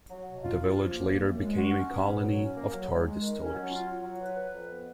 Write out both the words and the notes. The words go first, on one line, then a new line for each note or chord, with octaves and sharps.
The village later became a colony of tar distillers.
F#3
B2
F4
F4
F3
A#3
A#3
F#2
G#3
F#4
C#4
B3
A#2
F#3
C#4
A#3
F#3
G#3
G#3
D#3
C#4
F#3
F4
F4
F#3
B4
B4
F2
B3